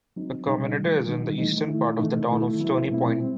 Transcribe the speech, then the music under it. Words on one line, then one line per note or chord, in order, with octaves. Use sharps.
The community is in the eastern part of the town of Stony Point.
F#3 C4 D#4
B2 G3 D#4
D#3 F#3 A3
D#3 G3 D#4
E3 A3 D#4
D#3 A3 E4
C3 E3 A3 D#4
D#3 A3 E4
F#3 B3 E4
B2 A3 C4 E4
G3 C4